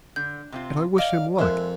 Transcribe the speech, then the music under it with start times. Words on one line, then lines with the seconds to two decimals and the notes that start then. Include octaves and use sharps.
And I wish him luck.
0.16 D3 G6
0.52 C3 C4 F4
0.98 D5 D#5 F5
1.39 F2 G#3 A#4 E5 F#6